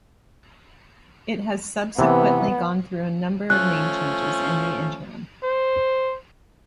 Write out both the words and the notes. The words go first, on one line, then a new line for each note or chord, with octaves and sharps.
It has subsequently gone through a number of name changes in the interim.
C3 E3 B3
F3 A3 C#4 F#6
C5